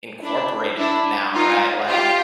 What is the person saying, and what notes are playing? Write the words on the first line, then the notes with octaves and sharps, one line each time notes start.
incorporated now, right? Like,
D4 E4
D4 E4
D#4 F4
F4 G4